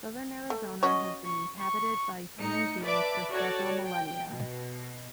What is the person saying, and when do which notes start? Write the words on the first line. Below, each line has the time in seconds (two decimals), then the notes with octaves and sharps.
Southern Arizona has been inhabited by human beings for several millennia.
0.50 A3
0.83 C#4 F#4 C#5 D#5
1.24 C#6
1.57 C#6
2.37 A2 D#4 C#7
2.83 B4 D5 E5 A5 D6
3.32 F#4 A4 C#5 D5
3.87 G5
4.29 B2